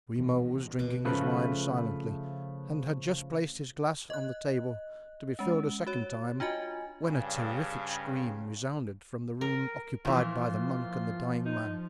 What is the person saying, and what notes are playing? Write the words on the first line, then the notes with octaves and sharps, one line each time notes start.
Grimaud was drinking his wine silently and had just placed his glass on the table to be filled a second time, when a terrific scream resounded from the room occupied by the monk and the dying man.
D#2 A#2 E3
A1 D2 B2 D6
C#3 F3 A3 B4
D#5 F#6
G#3 C#4
F#4 C#5
D4 F4 F#4 D#5 G#5
G2 C#3
A#4
A#2 E3 F3 F4
D#4